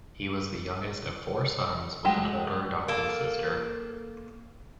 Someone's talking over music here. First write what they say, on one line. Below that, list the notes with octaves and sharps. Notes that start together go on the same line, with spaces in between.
He was the youngest of four sons, with an older adopted sister.
F#3 G#3 A3 G4
A#3 A4